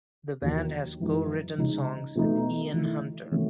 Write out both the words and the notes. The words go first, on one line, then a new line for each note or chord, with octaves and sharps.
The band has co-written songs with Ian Hunter.
D#2 D#3 F#3
F#2 E3 G#3 D#4
C#3 G#3 D#4
B2 A3 D#4
D#3 A3 E4
D#3 A3 C#4 F#4